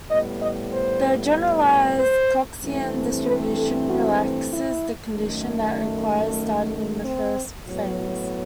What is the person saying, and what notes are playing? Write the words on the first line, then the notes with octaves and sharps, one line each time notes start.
The generalised Coxian distribution relaxes the condition that requires starting in the first phase.
A2 G3 B3 D#5
D#5
C5
C5
G2 E3 A3 C4
B4
A4
F#4
E4
F#2 D#3 A3
C4
A2 F#3 B3